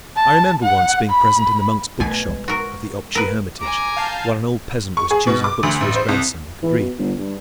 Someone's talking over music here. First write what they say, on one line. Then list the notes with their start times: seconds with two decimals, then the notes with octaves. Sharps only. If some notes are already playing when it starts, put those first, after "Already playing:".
I remember once being present in the monks' bookshop of the Optchy Hermitage while an old peasant was choosing books for his grandson, who could read.
0.16 A5
0.63 F#5
1.10 B5
2.00 B2 A3 G#5
2.28 G#3
2.48 F#4 A#4
3.15 A#4 B4
3.60 G#5 A#5 D6
3.96 F5 A5 G6
4.97 C#6
5.11 G#4
5.27 B2
5.44 D6
5.63 D2
5.81 A1
5.96 C5
6.09 C2
6.63 E3
6.78 B2
6.99 G1
7.19 G2